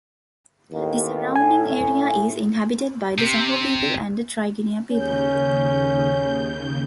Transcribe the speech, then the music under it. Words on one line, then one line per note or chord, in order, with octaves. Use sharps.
The surrounding area is inhabited by the Saho people and the Tigrinya people.
A1 D#2
A2 G#5
C3
D#2 C#3 C#4 G6